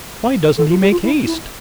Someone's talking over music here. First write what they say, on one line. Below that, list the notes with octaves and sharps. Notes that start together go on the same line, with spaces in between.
'Why doesn't he make haste!'
A4
F4
G4
F4
E4
E4